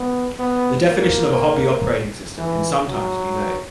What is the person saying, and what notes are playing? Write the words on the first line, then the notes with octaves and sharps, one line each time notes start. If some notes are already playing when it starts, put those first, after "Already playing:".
The definition of a hobby operating system can sometimes be vague.
Already playing: B3
B3
A#3
E3
F#3